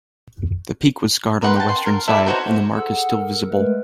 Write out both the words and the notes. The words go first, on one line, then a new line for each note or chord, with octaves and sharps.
The peak was scarred on the western side, and the mark is still visible.
A#4 B4 F#5 C6
G5 A5
C6
A#4
E4 A4 D5 E5
D#4 F#4 C5 C#5
G#4 A4 F#5 E6
A#4
G#3 A3 A#4 B4